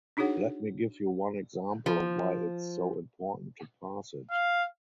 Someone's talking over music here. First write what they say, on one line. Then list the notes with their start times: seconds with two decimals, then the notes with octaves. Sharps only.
Let me give you one example of why it’s so important to pass it.
0.17 D4 D#4 F#4 G#4 C#5 F#5
1.86 F3
4.31 F5